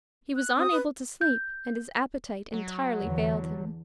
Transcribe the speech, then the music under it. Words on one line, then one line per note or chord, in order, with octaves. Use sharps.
He was unable to sleep and his appetite entirely failed him.
F#6
C4 D#6
B4
G6
F#3
E2 D3